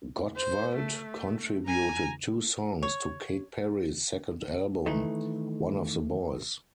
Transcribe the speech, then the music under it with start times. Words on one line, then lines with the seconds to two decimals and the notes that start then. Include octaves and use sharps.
Gottwald contributed two songs to Katy Perry's second album,"One of the Boys".
0.37 C5
0.76 A3
1.66 G#5 A#5
2.83 C#5
4.86 D#3 E3 A3